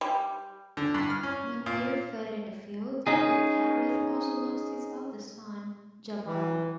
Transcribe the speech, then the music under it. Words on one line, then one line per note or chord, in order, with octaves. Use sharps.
Mundhir fell in the field, but Harith also lost his eldest son Jabalah.
G3
D3
G2
F6
C#4
A#2
C#4 D#4 G#4
E3